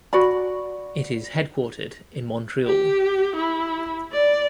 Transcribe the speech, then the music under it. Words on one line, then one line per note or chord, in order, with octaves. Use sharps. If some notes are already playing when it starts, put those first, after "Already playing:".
It is headquartered in Montreal.
F#4 D5 B5
G4
E4
D5